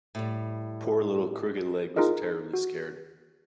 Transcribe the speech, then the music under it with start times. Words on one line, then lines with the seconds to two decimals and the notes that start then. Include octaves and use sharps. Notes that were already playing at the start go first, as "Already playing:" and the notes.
Poor little Crooked-Leg was terribly scared.
0.15 A2 G3
1.96 D#4 F4 G#4 A#4 D#5
2.53 F#4